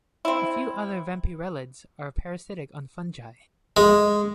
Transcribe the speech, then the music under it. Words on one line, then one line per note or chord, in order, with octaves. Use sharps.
A few other vampyrellids are parasitic on fungi.
C4 E4
G#3